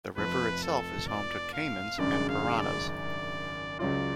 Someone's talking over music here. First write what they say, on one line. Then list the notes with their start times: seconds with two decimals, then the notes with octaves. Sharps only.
The river itself is home to caimans, and piranhas.
0.17 F1 F2 F3 B4
0.63 A4
1.07 D5
1.53 F5
1.98 G#1 F#2 C#3 G#3 D4 D5
2.29 F5
2.59 D5
2.89 D5
3.79 C#2 C#3 F#3 C#4 F4 D5